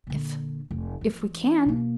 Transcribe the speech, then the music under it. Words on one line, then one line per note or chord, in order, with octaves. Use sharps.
"If--if we can."
A#2 D3
F1
E3
B2 A#3